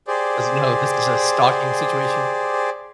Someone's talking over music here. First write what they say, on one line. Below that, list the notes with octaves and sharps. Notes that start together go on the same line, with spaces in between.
'Cause, no, this is a stalking situation.
G4 G#4 C5 D5